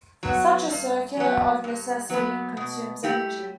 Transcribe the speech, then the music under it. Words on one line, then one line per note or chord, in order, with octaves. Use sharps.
Such a circuit, of necessity, consumes energy.
F#3 B3 F#4
G2
F#3 B3
G2
F#3 B3
B2
A3 E4 G4